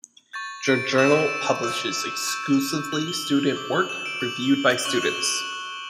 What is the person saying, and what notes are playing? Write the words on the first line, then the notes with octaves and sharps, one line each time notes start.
The journal publishes exclusively student work, reviewed by students.
C#6 G6 A6
D7
C#6 E6 G6 E7
C#6 E6 G6
C#6 G6
C#6 G6 F#7
G7
G7
F#7
D6 G6 G7
F#7
E7
D7
D6 G6 F#7
G7
F#7
G7
C#6 F#6 F#7
E7